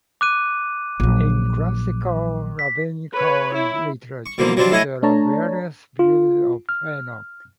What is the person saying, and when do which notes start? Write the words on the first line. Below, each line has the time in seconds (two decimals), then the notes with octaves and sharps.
In classical Rabbinical literature, there are various views of Enoch.
0.21 D6 F#6 D#7
1.00 A#1 F#3
2.59 B6
3.13 B4 C#5
3.53 E4
4.26 C#6
4.38 B2 D3 E3 F3 A#3
4.57 F#3 G3 C4 D4 F4
4.71 A3 C#4 E4 G#4 C#5 D#5
5.03 A3 D4 C#5 A5 A#5
5.99 F4
6.69 F6